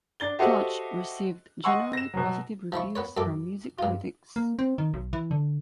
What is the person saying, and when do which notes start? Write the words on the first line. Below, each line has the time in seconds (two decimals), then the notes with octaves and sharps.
"Touch" received generally positive reviews from music critics.
0.20 D4 A6 G7
0.39 F#4 G4 A4 C5 D#5 E5
1.64 D#5 F#5 G#5 C6 C#6 E6
1.93 A#6 E7
2.14 B2 F#3
2.72 F3 E4 E5 C#6
2.96 B3 B4 C#5
3.17 F#2 A4 D6
3.79 G2 F4
4.36 A#3
4.59 C4
4.78 D#3
4.94 B1
5.13 E3
5.31 D3